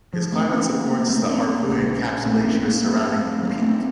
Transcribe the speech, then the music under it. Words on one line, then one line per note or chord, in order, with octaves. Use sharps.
This climate supports the Harpoon and Capps Glaciers surrounding the peak.
F3
A3 C4
A#3 C#4
A3 C4
A#3 C#4
A#1 A#2
A3 C4
A#3 C#4
A#3 C#4
A3 C4
F#3 A#3
A3 C4